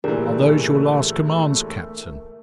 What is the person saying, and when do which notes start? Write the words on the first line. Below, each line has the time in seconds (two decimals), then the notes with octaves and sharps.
"Are those your last commands, captain?"
0.04 G1 A#2 E3 A3 D4 G4 G#4 A#4